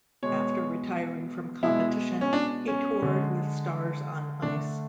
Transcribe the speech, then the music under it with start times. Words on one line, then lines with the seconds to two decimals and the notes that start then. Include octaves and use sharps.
After retiring from competition, he toured with Stars on Ice.
0.23 B2 G#3 C#5
1.63 B2 G#3 E4
2.21 C#4
2.33 D4
2.67 C#4
3.02 D3 G#3
4.42 D3 A3 D4